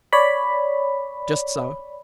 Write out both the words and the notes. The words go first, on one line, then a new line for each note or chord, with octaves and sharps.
"Just so."
C#5 D5 B5